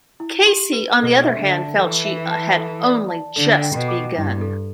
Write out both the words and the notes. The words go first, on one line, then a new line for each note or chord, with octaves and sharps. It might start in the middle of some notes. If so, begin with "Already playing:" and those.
Cosey, on the other hand, felt she had only just begun.
E4
G4
B4
B2 A4
E5
D3
A5
E3 A4
E5
A5
A4
D5
A5
D3 A4
G5
B2
D6
G2 E4
A4